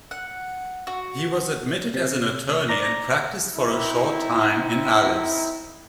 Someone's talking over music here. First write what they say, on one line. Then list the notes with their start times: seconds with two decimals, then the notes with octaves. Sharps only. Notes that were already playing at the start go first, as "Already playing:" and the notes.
He was admitted as an attorney and practiced for a short time in Alice.
0.11 F#5
0.87 F#4
1.94 C3
2.69 D5 A#5 A#6
3.55 C4 D#4 E4